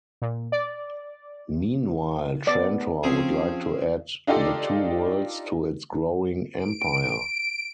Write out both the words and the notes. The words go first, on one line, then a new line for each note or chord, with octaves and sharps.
Meanwhile, Trantor would like to add the two worlds to its growing empire.
A#2
D5
B3 D5
F3 C4 C#4 G#4
D4 D#4 F4 G4 A4 D5
D7